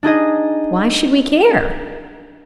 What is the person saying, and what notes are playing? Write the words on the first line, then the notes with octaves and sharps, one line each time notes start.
Why should we care?
D4 D#4 G#4 D#5